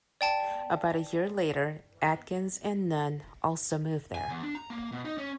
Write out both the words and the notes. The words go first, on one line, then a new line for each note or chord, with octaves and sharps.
About a year later Adkins and Nunn also moved there.
D5 G5 A5
G#5
E2
D4
A#5
A#3
B2
D#4
C#4